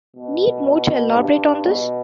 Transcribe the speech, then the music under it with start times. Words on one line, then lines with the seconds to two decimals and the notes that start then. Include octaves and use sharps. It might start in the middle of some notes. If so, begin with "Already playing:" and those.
Need more to elaborate on this.
0.16 B2
1.16 G2
1.67 B2